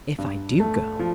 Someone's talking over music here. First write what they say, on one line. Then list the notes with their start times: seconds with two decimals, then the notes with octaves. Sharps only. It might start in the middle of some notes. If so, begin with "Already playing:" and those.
"If I do go."
0.18 G2
0.60 A3
0.99 F3